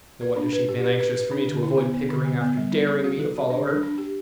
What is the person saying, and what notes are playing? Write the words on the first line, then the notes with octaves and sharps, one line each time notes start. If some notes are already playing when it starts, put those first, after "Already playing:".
No wonder she had been anxious for me to avoid Pickering after daring me to follow her!
B4
D4
B4
G4
B4
B4
B4
D4
D3
E4
B3
B3
D3
B3
B3
G3
D4
A4
F#4
A4
F#4
D4
D4
D4
G4